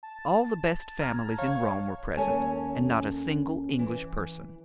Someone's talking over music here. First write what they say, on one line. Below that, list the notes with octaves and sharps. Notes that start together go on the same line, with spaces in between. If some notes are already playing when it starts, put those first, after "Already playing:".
All the best families in Rome were present, and not a single English person.
A5
A#1 A#5 F6 G#6
A#1 C#5 F5
D#2 C#4 A4 C#5 G#5 A5
E3